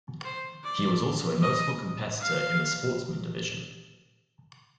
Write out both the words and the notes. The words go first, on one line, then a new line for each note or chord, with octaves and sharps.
He was also a notable competitor in the Sportsman Division.
C5
D5
D#5
F5